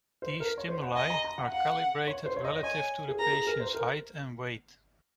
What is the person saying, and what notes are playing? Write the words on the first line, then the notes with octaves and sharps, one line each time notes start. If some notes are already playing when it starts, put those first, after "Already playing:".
These stimuli are calibrated relative to the patient's height and weight.
C5
A#4
C#5
C5
F#5
D#5 G#5
A#5
A#5
F#5
F5 F#5
C#5
C5
C#5
D#5
D#5
C#5 G#5
G#4
A#4 A#5
G#4
A#4
C5
A#4